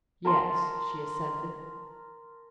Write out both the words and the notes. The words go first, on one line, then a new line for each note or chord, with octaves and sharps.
"Yes," she assented.
A#4 A5 C6